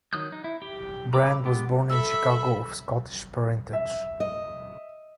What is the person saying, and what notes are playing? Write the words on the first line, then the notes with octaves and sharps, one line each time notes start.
Brand was born in Chicago of Scottish parentage.
D#3 F#3 D#6 F#6 G6
D#4
E4
G4 G5
A#5 B5 D6 E6
G#3 B3 G4
A4 E5 B5 E6
E5
D#5